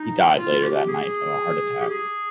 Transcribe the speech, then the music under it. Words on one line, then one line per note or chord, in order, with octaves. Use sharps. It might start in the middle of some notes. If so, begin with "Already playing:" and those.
He died later that night of a heart attack.
Already playing: D#4
F4
G4
G#4
G4
G#4